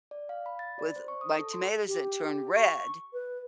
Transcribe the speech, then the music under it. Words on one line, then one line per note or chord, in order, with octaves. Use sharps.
with my tomatoes that turn red,
D5
F5
B5
A6
D5
C5
C#6
D#6
A4
C6
G4
C#6
B4